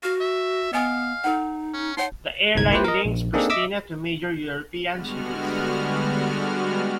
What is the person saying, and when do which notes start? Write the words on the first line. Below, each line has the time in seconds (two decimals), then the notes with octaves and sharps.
The airline links Pristina to major European cities.
0.03 F#4 F5
0.21 E5
0.73 B3 D#5 F5 G#5 D#6
1.24 D#4 A4 F#5
1.73 C#4
1.97 D#4 C#5 F#5 C6
2.55 G1 C2 D#4 G#6
2.72 A#3 E4 F4 G4 B4 C5
2.84 A#4 D#5
3.05 A#1
3.33 A#3 C4 D4 D#4 G#4 A4
3.50 D#5 E5 D6 E6
4.87 D3 G3 G#3 B3 F#4 F6